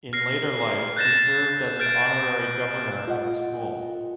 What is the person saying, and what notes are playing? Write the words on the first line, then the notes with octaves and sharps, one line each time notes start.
In later life, he served as an Honorary Governor of the school.
F6 A#6 C7
F#6 G6 A6 A#6 E7
F6 G6 A6 D7
F4 D#5 F#5